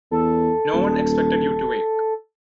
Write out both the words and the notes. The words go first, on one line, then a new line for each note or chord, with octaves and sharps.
No one expected you to wake.
E2 A4
D#1